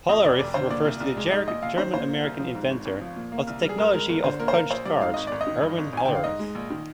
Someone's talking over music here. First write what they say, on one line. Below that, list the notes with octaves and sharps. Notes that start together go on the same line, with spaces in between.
"Hollerith" refers to the German-American inventor of the technology of punched cards, Herman Hollerith.
F2 D#5
F1 D5
F1 D5
D3 C5
A#2 D5
C2
C2
G#3
G#2 D#5
A#1 D#5
A#1 F5
D#3 C5
A#2 C5
A#3
C2
F3
G#2
G#1
G#1
F3
A#2
A#3
C2
G3
G#4
G2 A#4
G#3 A#4
G1 A#4
D3 C5
A#2 A#4
C5
A#3 A#4
A#1 C5
G3 D5
G#2 F5
G#1 D#5
G#1 D5
D#5
D#3
G2
G#1
G#1 G#5
D3 G5
F5
G#2 D#5
G#3
A#1
D#3